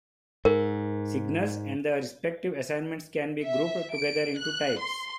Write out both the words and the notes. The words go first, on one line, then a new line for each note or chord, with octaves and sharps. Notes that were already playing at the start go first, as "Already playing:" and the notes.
Signals and the respective assignments can be grouped together into types.
G#2 A#4
E5
D7
F#6
C6